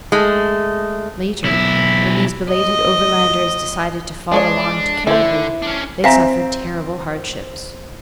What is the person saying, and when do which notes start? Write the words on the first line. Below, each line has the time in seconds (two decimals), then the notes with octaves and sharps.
Later, when these belated Overlanders decided to follow on to Cariboo, they suffered terrible hardships.
0.12 G#3 A3
1.44 B1 E4
2.50 D#5
4.32 G#3 D4 C#5 D5
5.07 D3 E4 C5
5.62 C#4 D4
6.04 C4 E5 F5 G#5 A#5 A#6 B6